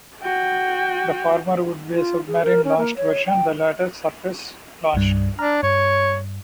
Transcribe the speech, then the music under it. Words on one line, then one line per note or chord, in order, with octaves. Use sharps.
The former would be a submarine-launched version, the latter surface-launched.
F#4 G5
F4
G#4
A#4
C#4
A#3
C#5
G5
C2 G2
D4 A#5 F6
G2 C#5